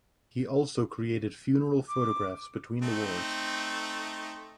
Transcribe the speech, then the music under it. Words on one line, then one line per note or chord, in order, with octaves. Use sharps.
He also created funeral photographs between the wars.
D6
A3 C4 D#4